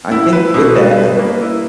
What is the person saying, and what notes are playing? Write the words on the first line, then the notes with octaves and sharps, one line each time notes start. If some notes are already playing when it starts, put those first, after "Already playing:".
I think with that, like,
E4
B4
B2
B4
B4
A#3
E4